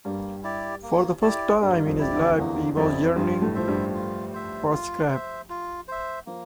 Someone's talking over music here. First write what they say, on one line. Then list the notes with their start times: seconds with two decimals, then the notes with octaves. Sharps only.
For the first time in his life he was yearning for a scrap.
0.05 G2 G3 A#3
0.43 E4 G4 D5
0.83 A#3
1.22 E4 G4 D5
1.61 G2 G3 A#3
1.76 G3
1.86 F2 F3
1.99 E4 G4 D5
2.12 D2 D3
2.38 E2 E3 A#3
2.76 F2 F3 E4 G4 D5
3.15 G2 G3 F4
3.42 A2 A3
3.54 F3 C5 E5
3.68 G2 G3
3.94 F4
4.33 C5 E5
4.71 F4
5.10 C5 E5
5.50 F4
5.88 C5 E5
6.26 F3 A#3